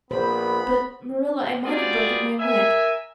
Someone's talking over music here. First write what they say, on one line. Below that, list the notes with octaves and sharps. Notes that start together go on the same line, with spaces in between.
But, Marilla, I might have broken my neck.
A#1 B3 C5 B5
G3 F4 F#4 G#4 D5
A#4 E5 G#5